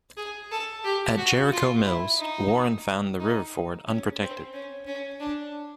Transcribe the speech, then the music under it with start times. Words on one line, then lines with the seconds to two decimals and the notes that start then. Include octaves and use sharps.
At Jericho Mills, Warren found the river ford unprotected.
0.17 G#4
0.51 A4
0.84 G4
1.18 F#4
1.52 F4
1.85 E4
2.19 D#4
3.20 D#4
3.87 C#4
4.21 C4
4.53 C#4
4.87 C#4
5.20 D4